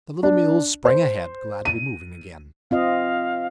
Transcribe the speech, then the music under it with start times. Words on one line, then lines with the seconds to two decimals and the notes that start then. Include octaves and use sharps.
The little mules sprang ahead, glad to be moving again.
0.23 D4
0.85 C5
1.65 D#7
2.71 C4 F4 D#5 F5